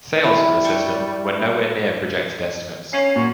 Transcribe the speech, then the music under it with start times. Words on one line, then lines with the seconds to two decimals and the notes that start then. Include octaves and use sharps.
Sales for the system were nowhere near projected estimates.
0.24 G3 E4
0.64 G5 A5 C#6
2.93 C#4 C7
3.16 A#2 F#3